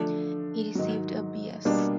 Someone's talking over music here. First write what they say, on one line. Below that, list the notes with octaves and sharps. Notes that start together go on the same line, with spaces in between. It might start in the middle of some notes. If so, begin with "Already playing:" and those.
He received a B.s.
Already playing: D3 F3 A3 D4
G#2 D#3 F#3
B2 G3 A#3 D4